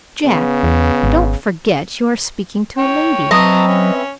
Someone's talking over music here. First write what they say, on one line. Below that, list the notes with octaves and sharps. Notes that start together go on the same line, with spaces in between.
"Jack! don't forget you are speaking to a lady."
C#3 B3
E2
G#1
C#5 G5
F#3 C4 B4 D#5 E5 A5 A#5 C#6
C#4